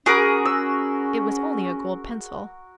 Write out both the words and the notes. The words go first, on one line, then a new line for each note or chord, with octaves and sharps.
It was only a gold pencil.
C#4 F#4 G#4 A#4 B5 D6
E6